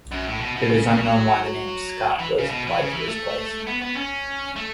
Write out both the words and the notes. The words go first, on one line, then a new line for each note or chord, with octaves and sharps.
It is unknown why the name "Scott" was applied to this place.
F#2
A2
B2
B2
C#3
C#3
F#3
E3
C#3
B2
E3
C#3
E3
A3
B3
B3
C#4
A3